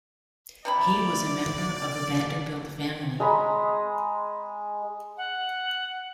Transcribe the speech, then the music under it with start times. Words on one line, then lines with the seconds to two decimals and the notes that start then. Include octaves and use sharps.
He was a member of the Vanderbilt family.
0.65 C3 E4 D5 B5
3.20 G#3 A#5 B5
5.17 F#5